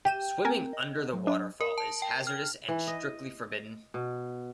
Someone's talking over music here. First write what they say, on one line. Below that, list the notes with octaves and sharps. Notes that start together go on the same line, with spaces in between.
Swimming under the waterfall is hazardous and strictly forbidden.
G4 G5 D#7 E7
C4 A#4 G#5
D#5
F#3
D4
A#4
A5
G5
F6
E3
D#5
B2